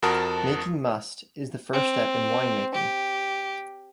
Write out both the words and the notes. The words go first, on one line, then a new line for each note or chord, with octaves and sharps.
Making must is the first step in winemaking.
F2 F#4 A#4 A5 D#6
C4
G4